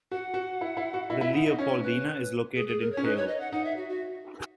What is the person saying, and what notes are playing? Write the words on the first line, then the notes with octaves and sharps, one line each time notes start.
The Leopoldina is located in Halle.
F#4 F#5
F#4
E4
E4
F#4
E4 D#5
E4 E5
D#4 F#5
D#4 D#5
C#4 C#5
B4
G#4
G#4
A#4
C#5
C#4
D#4 B4
C#5
D#5
F#5
D#4 F#5
E5
F#4
F#4